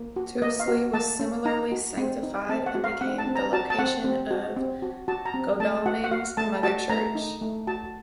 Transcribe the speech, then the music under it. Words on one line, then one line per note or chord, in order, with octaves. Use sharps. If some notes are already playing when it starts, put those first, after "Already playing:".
Tuesley was similarly sanctified and became the location of Godalming's "mother church".
Already playing: A#3
F#4
A#3 D#5
F5
F#4
A#3 A5
C#4
D#4 A#5
F#4
C4
D#4
C4 A5
F#5
F#4
F5
C4 F#5
A5
C4
A#5
F#4 A5
A5
C4 F#5
C4
F#4
C4
F#4
F#4 A5
A#5
C4
A3 A5
F#4 F#5
F#5
F#4 F5
A3 A5
F#4 A5
A3 A#5
D#4
A3
F#4 A5